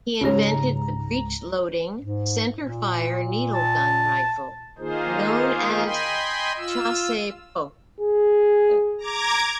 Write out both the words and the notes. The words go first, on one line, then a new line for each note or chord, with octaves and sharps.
He invented the breech-loading, center-fire needle gun rifle known as the Chassepot.
C#2 G#2 C#4 G4 C#5 A#5
G#2
A#2
A5
D#3 A#3 D#4 F4 G#4 C5
D#5 G5 G#5 B5 C6
F4 E6
G#4
A#5 D6 G#6